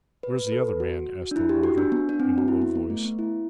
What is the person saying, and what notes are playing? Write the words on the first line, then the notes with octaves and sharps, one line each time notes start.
"Where's the other man?" asked the warder, in a low voice.
B4
B4
A4
F#4
D4
E4
G4
F#4
D4
B3
D4
C4
F#4
E4
B3
B3
A3
B3
E4